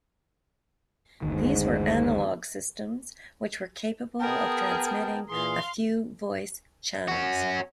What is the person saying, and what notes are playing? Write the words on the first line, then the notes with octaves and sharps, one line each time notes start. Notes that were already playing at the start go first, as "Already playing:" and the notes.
These were analogue systems which were capable of transmitting a few voice channels.
F#1 D2 G#2 D#3
B3 G#4 A#4 G5 A5
A#2 E3 G#4 F5 C6
C#4 F#4